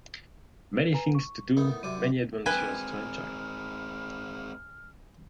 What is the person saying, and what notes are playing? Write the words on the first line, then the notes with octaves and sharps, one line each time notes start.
Many things to do and many adventures to enjoy.
B4 G#5 A#5
C#6
A2 B3 D#4 A#4
F#2 C3 D5 D#7
G#3 C4 B4 G5 G#5 F6